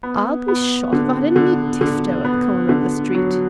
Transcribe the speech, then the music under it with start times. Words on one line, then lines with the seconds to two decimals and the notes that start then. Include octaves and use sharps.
"I'll be shot if I didn't meet Tifto at the corner of the street."
0.03 B3
0.48 B3
0.93 D3
1.36 D3
1.81 D3
2.25 B3
2.69 D3
3.14 F#3